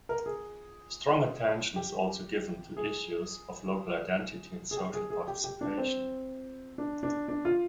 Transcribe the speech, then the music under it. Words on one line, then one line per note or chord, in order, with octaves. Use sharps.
Strong attention is also given to issues of local identity and social participation.
A#4
G#4
G4
G#4
G#4
G4
G#4
G#4
G4
G4
D4
C4
D4
D4
D4
F4